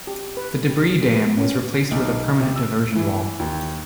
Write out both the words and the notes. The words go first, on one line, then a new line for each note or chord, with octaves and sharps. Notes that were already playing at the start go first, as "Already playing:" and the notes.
The debris dam was replaced with a permanent diversion wall.
G4
B4
G4
A#3
B3
C#4
B1
C3
E6
E3
D#2